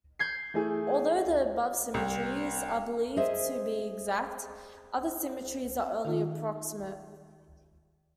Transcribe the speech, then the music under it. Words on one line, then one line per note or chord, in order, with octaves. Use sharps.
Although the above symmetries are believed to be exact, other symmetries are only approximate.
G6 G#6 C7
E3 A3 G#4
C2
G#4 C5 D#5 E5
D#3 D#4 F4